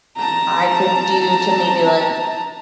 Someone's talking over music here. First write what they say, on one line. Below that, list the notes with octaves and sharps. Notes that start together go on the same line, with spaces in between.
I could do to maybe, like,
A5 A#5